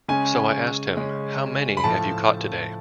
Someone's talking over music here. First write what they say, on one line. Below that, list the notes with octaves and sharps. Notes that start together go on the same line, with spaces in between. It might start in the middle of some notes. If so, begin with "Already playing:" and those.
So I asked him, How many have you caught today?
C#3 G#3 C#4 G#5
C#3 G#3 C#4
B5
A2 F3 A3 A5